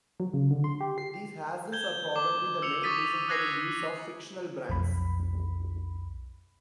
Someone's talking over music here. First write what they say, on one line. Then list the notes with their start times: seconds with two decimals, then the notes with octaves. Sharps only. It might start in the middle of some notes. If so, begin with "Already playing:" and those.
These hassles are probably the main reason for the use of fictional brands.
0.20 F#3
0.34 C#3
0.51 D3
0.64 C6
0.81 G4
0.98 C7
1.72 G6 G#6 G7
2.15 D6 G7
2.62 E6 C#7 F7
2.83 C#6 D#6 A6 B6 D#7
3.29 E6 F#6 G#6 A#6 C7
4.69 B1 F2 B5